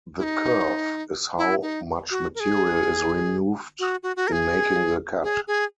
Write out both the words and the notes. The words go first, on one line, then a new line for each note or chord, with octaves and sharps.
The kerf is how much material is removed in making the cut.
E4
D#4
E4
D#4
F#4
A#4
G#4
F#4
F#4
F#4
A#4
G#4
G#4
G#4